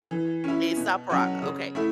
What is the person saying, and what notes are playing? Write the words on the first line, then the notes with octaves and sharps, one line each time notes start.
Aesop Rock, okay.
E3
C#4 E4
B2
F#3 C#4 F#4
C#3
A3 E4